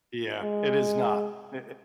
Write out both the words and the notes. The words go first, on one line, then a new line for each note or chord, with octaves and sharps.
Yeah, it is not. I It
G#3